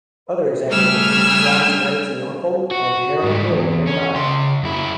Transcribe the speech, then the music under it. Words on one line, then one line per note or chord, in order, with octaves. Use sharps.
Other examples include Grimes Graves in Norfolk, and Harrow Hill nearby.
C#3 G3 A3 G#5 E6 F6
F#4
G#2 G3
E2
C#4
C#3 C6
F#2 E4